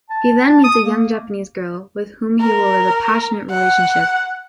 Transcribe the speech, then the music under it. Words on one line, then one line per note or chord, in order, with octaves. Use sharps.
He then meets a young Japanese girl with whom he will live a passionate relationship.
A5
A5
D#6
A#3
A#4
F#5